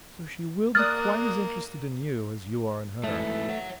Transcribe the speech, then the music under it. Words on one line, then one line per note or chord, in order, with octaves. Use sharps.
So she will be quite as interested in you as you are in her.
A#3 D5 D#6 F6 F#6 A6
G#2 E3 A3
C#5 F#5